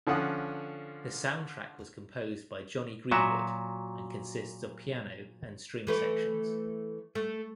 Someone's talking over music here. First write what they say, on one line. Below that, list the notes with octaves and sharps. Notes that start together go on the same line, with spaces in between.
The soundtrack was composed by Jonny Greenwood and consists of piano and string sections.
D3 F3 C#4 F#5 D#6
A#2 F#3 F#4 E5
E3 A3 B4
A3